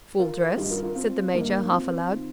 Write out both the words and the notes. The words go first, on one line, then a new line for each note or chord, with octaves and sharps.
"Full dress?" said the major, half aloud.
F4 A#4
G2 D#3 D#4 G4
F4 A#4
F4 A#4
C4 F4
G2 D#3 A#3 D#4
C4 F4
D#3